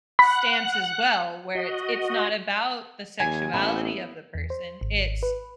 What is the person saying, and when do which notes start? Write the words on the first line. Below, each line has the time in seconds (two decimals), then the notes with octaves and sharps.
stance as well, where it's it's not about the sexuality of the person, it's
0.19 F#5 B5 F#6
1.55 F#4 D#5
3.20 D#2 G#5
3.53 A1 B3 E4
4.35 E2
4.50 C5
4.81 G#1
5.23 B4